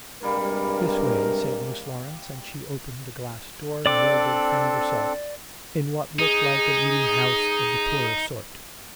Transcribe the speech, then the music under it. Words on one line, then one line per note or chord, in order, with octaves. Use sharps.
'This way,' said Miss Laurence, and she opened a glass door, and Mildred found herself in what looked like an eating-house of the poorer sort.
G2 C3 G3 G#3 A#3 A#4
C4 D4 A4 D5 D6
D#4 G#4